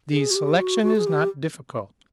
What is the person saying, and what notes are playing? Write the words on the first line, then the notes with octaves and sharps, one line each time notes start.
The selection is not difficult.
G#4
F#4
G4
F#4
F#4
G#4
G4